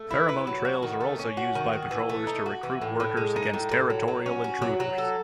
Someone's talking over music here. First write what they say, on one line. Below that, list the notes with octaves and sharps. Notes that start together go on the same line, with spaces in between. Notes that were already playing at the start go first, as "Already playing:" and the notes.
Pheromone trails are also used by patrollers to recruit workers against territorial intruders.
Already playing: A3
E4
B4
F#3
F#4
D#3
A3
C#4
F#4
D#3
F#4
E3
A3
D#4
F#4
E3
A2
A2
G#3
D#4
A2
A2
F#3
F#3
C#4
F#4
F#3
F#3
A4